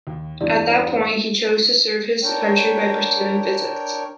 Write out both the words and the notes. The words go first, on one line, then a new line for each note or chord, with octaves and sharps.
At that point he chose to serve his country by pursuing physics.
D#2
E2 G2 E4 G4 D5
D4 A#4 C#5 G5